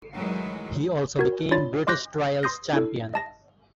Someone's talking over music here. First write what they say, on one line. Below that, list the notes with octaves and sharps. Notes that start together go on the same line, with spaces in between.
He also became British Trials Champion.
D#3 E3 F#3 G#3 A3
F#4 A#4 G#6
D4 F4 C#5 B5 A6
D#5 C6 D6 F#6 G6 A#6
C6 D#6 G6 A#6
D4 E4 A4
D#5 A5 A#6